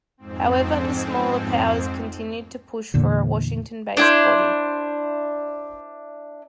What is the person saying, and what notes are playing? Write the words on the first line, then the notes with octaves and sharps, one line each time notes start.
However the smaller powers continued to push for a Washington-based body.
F2 G#2 C4
E2 A#2 D3
D4 E4 C5